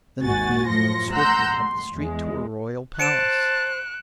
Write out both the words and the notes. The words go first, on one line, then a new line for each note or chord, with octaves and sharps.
Then the Queen rode swiftly up the street to her royal palace.
G#1 D#2 F#4 F#5 G#5 A6
F#2 A2 F3 C6 A#6 C#7
F#5 A#5 C6 E6 F#6 G6
C6
E2 G#3
C5 A5 F#6 C#7 D7 E7